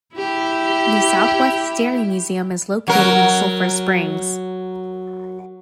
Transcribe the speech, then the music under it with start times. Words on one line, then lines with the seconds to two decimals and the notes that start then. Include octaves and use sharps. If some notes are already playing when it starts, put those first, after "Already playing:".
The Southwest Dairy Museum is located in Sulphur Springs.
0.16 E4 G4
2.88 F#3 A#4